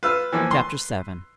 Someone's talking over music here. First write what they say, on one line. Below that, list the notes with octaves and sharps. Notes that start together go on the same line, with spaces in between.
Chapter VII.
F4 B4 E6 F6
E3 F3 A#3
C6